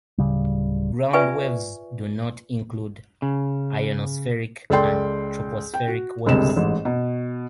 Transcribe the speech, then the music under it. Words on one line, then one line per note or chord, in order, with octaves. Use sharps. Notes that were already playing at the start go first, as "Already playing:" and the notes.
Ground waves "do not" include ionospheric and tropospheric waves.
D1 G#1 C#3 G3
F4 B4 D5 E5 G#5 C#6
C#3
C#2 A4 D5 G5 C6 G6
G5
F#4
G1 C#2 C3 D#5 E7
A1 G#2
B2